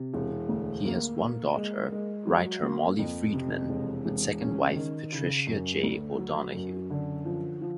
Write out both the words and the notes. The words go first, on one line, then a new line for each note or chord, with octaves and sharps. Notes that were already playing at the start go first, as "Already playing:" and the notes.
He has one daughter-writer Molly Friedman-with second wife Patricia J. O'Donohue.
Already playing: C3
E1
D2
A#3
A#3
G#3
G#3
F#3
A#3
F2
C3
E1
E1
C#4
D#3
C#3
F#2
D2
F#3
F#2
D3
F3
F3